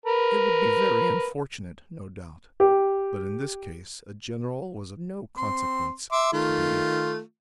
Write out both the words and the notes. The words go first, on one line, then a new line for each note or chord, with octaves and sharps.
It would be very unfortunate, no doubt, but in this case a general was of no consequence to the youth.
A#4 B4
G4
C4 C6
E5 C6 D6
D#3 A3 F4